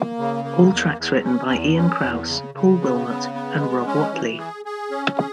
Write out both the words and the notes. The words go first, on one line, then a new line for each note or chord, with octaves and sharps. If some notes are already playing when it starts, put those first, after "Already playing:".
All tracks written by Ian Crause, Paul Wilmott and Rob Whatley.
Already playing: A#3
C#3
A#3
E2
E2
C#4
E2
C#4
E2
C#3
C#3
B3
C#3
B3
G#3
C#4
E3
G#4
G#4
C#4
G#4